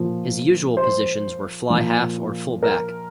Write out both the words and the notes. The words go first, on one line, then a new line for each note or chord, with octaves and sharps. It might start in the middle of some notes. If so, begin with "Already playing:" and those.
His usual positions were fly-half or fullback.
Already playing: A#2 F3
C5
A#2 F3
A#4